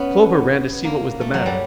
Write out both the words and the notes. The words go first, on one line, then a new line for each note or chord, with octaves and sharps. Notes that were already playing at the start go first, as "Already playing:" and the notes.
Clover ran to see what was the matter.
Already playing: B3 C#4
A#3
A3
F#3
G3